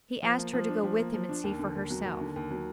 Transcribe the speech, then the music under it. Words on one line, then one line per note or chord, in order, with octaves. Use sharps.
He asked her to go with him and see for herself.
F3
A#3
F3
D4
F3
A#3
F3
D4
D#2
D3
D#2
F#3
D#2
D3
D#2
F#3